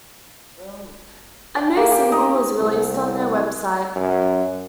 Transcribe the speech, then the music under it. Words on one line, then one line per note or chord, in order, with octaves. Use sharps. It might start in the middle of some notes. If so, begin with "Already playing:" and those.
A new single was released on their website.
G5
A#3
G4
D#4
C2
F#2